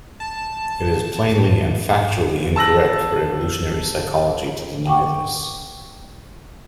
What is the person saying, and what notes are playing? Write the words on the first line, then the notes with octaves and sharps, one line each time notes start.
It is plainly and factually incorrect for evolutionary psychology to deny this.
A5
A5 E6 A#6 F#7
F#5 G5 C#6 D6